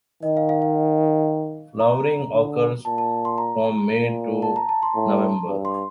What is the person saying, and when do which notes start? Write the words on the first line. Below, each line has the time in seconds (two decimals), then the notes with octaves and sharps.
Flowering occurs from May to November.
0.23 D#3 D#5
0.37 F5
0.49 F5
0.62 F5
1.80 A#5
2.33 D3
2.85 A#2 A5
2.98 A5
3.25 C6
3.38 A#5
3.90 A#2
4.42 A5
4.56 A#5
4.69 A5
4.83 C6
4.95 A2
5.48 G2
5.65 C6